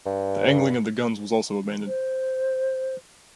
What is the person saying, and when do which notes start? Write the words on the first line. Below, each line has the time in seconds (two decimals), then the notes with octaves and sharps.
The angling of the guns was also abandoned.
0.06 G2
1.87 C5